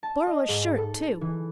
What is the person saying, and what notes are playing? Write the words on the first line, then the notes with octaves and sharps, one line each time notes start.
"Borrow a shirt, too."
A5
D#5
G#2
A4
E3